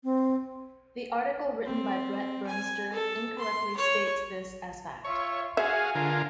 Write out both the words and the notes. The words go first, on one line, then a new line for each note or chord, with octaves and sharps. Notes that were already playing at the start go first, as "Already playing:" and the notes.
The article written by Brett Burmster incorrectly states this as fact.
C4
C4
G#5
A4
C6
C#5
F4 C#5 E5 C#6
F#4 G#4 E5 F5 G#5
D3 F4 A#4